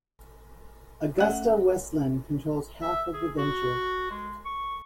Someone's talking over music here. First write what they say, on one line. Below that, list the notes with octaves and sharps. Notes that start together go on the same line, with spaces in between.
AgustaWestland controls half of the venture.
A3 C#4 E5 F#5
E5
G#4
F#4
G#3
C#6